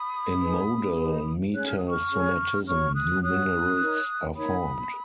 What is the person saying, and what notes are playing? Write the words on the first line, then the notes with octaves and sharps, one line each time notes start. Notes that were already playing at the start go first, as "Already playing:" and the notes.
In modal metasomatism, new minerals are formed.
Already playing: B5 D#6
D#4 G#4 B4
D#4 G#4 B4
C#4 G#4 C#5 F#6
F6
D#6
C#6 F6
C#4 G#4 C#5
F#4 C#5 C#6 F6
D#6 F#6
F#4 C#5 D#6 F#6
D#4 A#4 C#5
D#4 A#4 C#5 B5 D#6